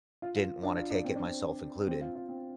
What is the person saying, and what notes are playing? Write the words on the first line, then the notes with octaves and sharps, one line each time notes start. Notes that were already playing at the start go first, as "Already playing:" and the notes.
didn't wanna take it, myself included,
F4
F4
D4
F4
D4
C4
D4
C4
C4
F4
F4
C4